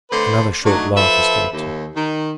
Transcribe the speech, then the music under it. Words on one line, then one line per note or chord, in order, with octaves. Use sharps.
Another short laugh escaped him.
D3 A3 B4 C5
F#3 A3 D4 D#4
F3 A4 B4 E5
D#2
D#3